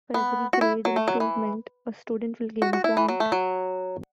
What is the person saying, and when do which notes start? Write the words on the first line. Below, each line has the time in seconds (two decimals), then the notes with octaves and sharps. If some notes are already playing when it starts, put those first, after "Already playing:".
For every grade improvement a student will gain a point.
0.14 B3
0.53 F#4
0.61 E4
0.85 F#3
0.96 A3
1.08 F#3
1.20 E3
2.62 F#4
2.73 F#4
2.84 E4
2.97 E3
3.08 F#3
3.20 A3
3.32 F#3